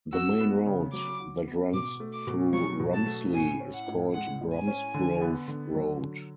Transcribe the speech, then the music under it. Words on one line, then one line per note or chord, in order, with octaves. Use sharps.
The main road that runs through Romsley is called Bromsgrove Road.
F#4 E6
B3
C#3
F#3 D6
F#4
B3
B2 D6
A3
D6
B2
F#3 C#6
B2
A5
A3
A2 G#5
C#4
F#5
A2
G#3 F#5
A2
G#5
C#4
D3
B3
D3
F#3
D3